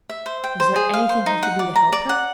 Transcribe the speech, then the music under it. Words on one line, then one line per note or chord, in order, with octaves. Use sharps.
Was there anything he could do to help her?
E5
C5
G5
C5
G#4
F5
C5
D#4
F#5
D5
A#5
D5
F#5